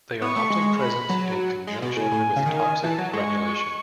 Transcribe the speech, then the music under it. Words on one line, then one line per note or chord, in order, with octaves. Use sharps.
They are often present in conjunction with toxic granulation.
B3 C#6
A3
G#3
B5
F#3
G#3
B2
A2 G#5
A2
C#3
D#3
G#5
E3 A5
F#3
G#3 C#6